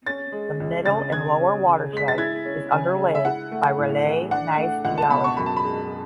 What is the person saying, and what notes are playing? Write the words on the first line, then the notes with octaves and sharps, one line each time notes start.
The middle and lower watershed is underlaid by Raleigh Gneiss geology.
C#4 A6
G#3
C#2
C#3 A6
C#3 G#6
C#4
C#3
G#3 B6
A6
E4 G#6
C#4
C#3 G#5
G#3
E5
E4 F#5
A3
A2
E3
D4 F#5
A3
C#2 F#5
A5
B2 B5
C#6
F#2 B5
A5
B5
G#3